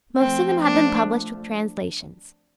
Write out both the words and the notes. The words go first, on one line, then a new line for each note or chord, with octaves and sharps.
Most of them have been published with translations.
F3 A3 C4
D4